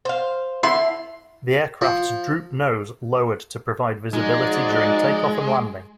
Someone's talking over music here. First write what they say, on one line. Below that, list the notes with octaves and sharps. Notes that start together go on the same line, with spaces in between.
The aircraft's Droop-nose lowered to provide visibility during takeoff and landing.
C5 F5
D3 E4 E5 C6
F3
F3 G#3 D#4 F#4 D5